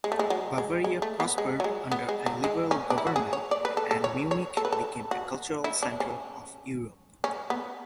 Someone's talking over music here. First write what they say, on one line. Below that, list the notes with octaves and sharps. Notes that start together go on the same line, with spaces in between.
Bavaria prospered under a liberal government and Munich became a cultural centre of Europe.
G#3
A3
G#3
F#3
G#3
G#3
A3
B3
G#3
F#3
G#3
B3
G#3
F#3
G#3
C#4
D4
E4
F#4
G#4
C#5
D5
B4
A4
A4
C#5
C#5
A4
B4
A4
F#4
E4
D4
C#4
C#4
B3